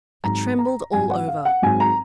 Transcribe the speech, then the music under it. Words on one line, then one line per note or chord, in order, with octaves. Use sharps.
I trembled all over.
G#1 G#2 F#3 A#5
A#5
G#1 G#2 F#3 G#5
F#5
F5
F#5
G#1 G#2 F#3 G#5
A#5